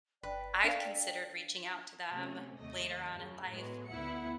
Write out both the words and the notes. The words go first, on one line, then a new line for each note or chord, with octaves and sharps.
I've considered reaching out to them later on in life.
G1 B4 D5 G5
D4 A4 F5 B6
C3 A3 C#4
D#2 C3 A3 D#5
F#2 C#3
A2 F#3 G#3 B3
D2 B3 E4 F#5 C#7